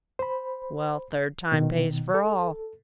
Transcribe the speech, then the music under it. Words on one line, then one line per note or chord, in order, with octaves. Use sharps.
'Well, third time pays for all.
C5 B5
B2 D#3
A4